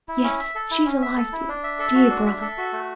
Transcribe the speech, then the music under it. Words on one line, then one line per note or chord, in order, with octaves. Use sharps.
'Yes, she is alive, dear, dear brother!
E4
C#4
E5
A4
E4
C#4
E5
A4
E4
D4
E5
A4
F#4
D4
E5
A4
F#4
A3